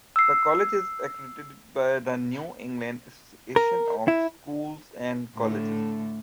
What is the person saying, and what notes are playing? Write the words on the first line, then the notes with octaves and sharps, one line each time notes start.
The college is accredited by the New England Association of Schools and Colleges.
E6 C7
A#4
E4
A2 D3 A3